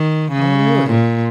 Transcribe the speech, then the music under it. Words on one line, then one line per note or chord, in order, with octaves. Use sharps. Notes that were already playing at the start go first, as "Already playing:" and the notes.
Oh, really?
Already playing: D#3
C#3
A#2